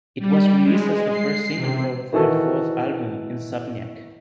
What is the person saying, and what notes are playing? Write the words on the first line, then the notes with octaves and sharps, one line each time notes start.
It was released as the first single from their fourth album, "Insomniac".
G3
G#3
C7
C3
D#3 E3 F#4 A4